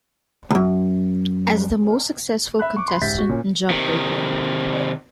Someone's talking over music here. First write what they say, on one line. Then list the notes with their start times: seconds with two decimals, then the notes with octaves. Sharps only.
As the most successful contestant in Jeopardy!
0.51 C#2 F#2
2.59 E5 B5 F#6
2.76 C#6 D6
2.88 B5 C6
3.02 G#2 G4 E5 G6 A6 B6
3.18 F#4
3.29 A#2 C#4
3.70 C3 D#3